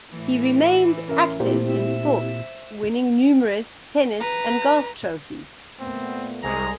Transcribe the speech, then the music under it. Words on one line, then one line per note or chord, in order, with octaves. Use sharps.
He remained active in sports, winning numerous tennis and golf trophies.
A2 E3
C#4 A#4 E5
A#2 A3 A#3 C4 E4 G4 C5
E5
B4 A#5
A#2 A3 B3 C4
C2 G#3 G#4 A#5